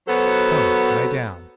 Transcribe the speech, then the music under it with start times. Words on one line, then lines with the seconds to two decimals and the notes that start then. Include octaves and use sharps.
"Come, lie down."
0.08 F#3 B3 F#4 A4 C5